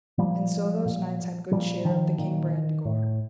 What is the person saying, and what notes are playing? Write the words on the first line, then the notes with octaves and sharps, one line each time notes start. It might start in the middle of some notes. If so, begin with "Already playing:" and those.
And so those knights had good cheer of the King Brandegore.
A#2 F3 G3
A#2
A#2 F3 G3
D#3 F3
A#2 D#3
A2